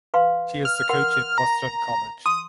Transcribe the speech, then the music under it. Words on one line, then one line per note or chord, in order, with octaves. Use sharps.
She is the coach at Boston College.
B4 F5 C6
F6
A#4 F#5 C6
A#5
C6 D#6